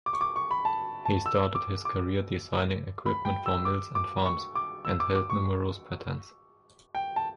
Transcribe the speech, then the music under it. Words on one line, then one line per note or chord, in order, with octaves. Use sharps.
He started his career designing equipment for mills and farms, and held numerous patents.
D6
C#6
D6
C#6
B5
A5
A5
E6
D6
D6
B5
G5
E6
D6
D6
C#6
D6
E6
D6
D6
C#6
G5
A5